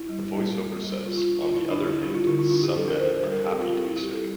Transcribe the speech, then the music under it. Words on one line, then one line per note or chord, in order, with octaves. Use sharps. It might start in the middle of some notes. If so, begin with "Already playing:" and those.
The voiceover says: On the other hand, some men are happy to be sick.
Already playing: E4
G3
G3
A#3
G3
G3 F4
F4
D4
F4
D3 E4
D4
D3
E4
G3 G4
F4
D3 E4
F4
D4 F4
G4
D4 A4
A#4
D4 C5
C5
G3
A#4
G4
C4 A4
F4
C4 G4
E4
G3 G4
A4
G3